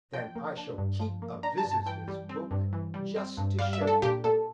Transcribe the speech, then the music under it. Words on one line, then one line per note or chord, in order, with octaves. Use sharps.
"Then I shall keep a visitors' book just to show you."
F3 G5
A#3
D4
G2
F3
A#3
D4 A#5
A5
G2
A5
E3 G5
G3
C4
G2
E3
G3
C4
G2
G3 F5
E5
D4
A4
A#2 G4
A#2 A4